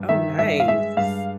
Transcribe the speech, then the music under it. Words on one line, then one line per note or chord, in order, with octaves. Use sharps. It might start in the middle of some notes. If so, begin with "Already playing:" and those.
Oh, nice.
Already playing: G2
D#3 E5
G2 E5
F5
G#3 E5
G2 F5